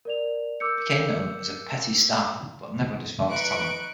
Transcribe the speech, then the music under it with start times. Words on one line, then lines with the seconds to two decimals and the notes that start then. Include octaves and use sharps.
He became known as "Petit Stab" but never had his father's talent.
0.05 A#4 D5 F7
0.60 A#4 D6 E6 G6 C#7
3.29 D#4 B4 C#6 F#6 D7